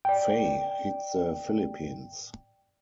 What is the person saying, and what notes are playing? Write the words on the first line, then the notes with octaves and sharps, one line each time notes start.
Faye hit the Philippines.
D5 G5